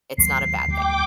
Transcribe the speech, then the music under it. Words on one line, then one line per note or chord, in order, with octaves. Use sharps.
It's not a bad thing.
D#2 F#3 G#3 C7
D2 F3 G3 G5 D6